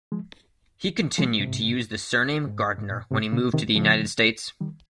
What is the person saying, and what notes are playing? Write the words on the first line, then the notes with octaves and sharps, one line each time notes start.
He continued to use the surname Gardiner when he moved to the United States.
F3 G#3
F3 G#3
G#2 C3
G#2
G#2
A#2
G#2 C3
A#2 C#3
C3 D#3
C#3 F3
D#3 G3